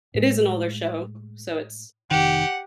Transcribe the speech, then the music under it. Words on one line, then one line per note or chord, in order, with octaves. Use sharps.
It is an older show, so it's
A2 G#3
F1 D#3 G4 F#5